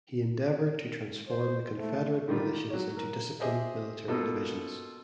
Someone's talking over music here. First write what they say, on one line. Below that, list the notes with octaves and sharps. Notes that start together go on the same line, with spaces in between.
He endeavored to transform the Confederate Militias into disciplined military divisions.
C5
A3
D3 D#3 G3 F4
F#3 C#5
A#4
G4 G#4 C5 D#5 E5
B2 A#3 F4 A4